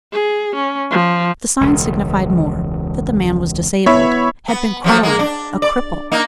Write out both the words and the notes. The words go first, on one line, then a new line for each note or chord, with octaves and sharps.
The sign signified more--that the man was disabled--had been crawling--a cripple!
G#4
C#4
F3
E1 C#2
B3 E4 C#5 E5 B5
B3
F3 F#3 A3
G#3 A#3
D4
D5
A#3 D#4